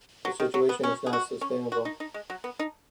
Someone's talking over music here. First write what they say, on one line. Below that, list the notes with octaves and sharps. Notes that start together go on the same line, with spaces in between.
The situation is not sustainable.
F#3
D#3
F#3
B3
C#4
G#4
F#4
C#4
F#4
D#4
D#4
G#3
F#3
B3
D#4